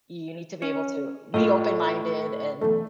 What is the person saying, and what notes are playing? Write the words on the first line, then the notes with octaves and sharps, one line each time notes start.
you need to be able to be open-minded and
C#4 C#5
A2 F4 D#5
B1 E2 A3